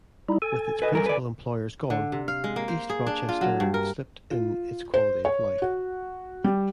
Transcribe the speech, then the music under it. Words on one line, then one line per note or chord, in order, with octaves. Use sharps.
With its principal employers gone, East Rochester slipped in its quality of life.
G3 D#4 E4
A4 G#5
B4 D#5
G2 A#4
B4 D5
D3
C3
F5
G#3
A#3
C5
G#4
D4
F4
F#3
G2
A#4
F4
C5
C#5
F#4
G3